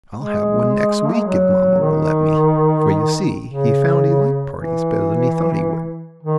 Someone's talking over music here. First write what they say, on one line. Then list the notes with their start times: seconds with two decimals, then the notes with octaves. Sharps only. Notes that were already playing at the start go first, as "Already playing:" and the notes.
"I'll have one next week, if mamma will let me," for you see he found he liked parties better than he thought he would.
0.15 G#3
1.06 A#3
1.15 G#3
1.26 F#3
1.81 D#3
3.46 C#3
4.57 E3
6.23 D#3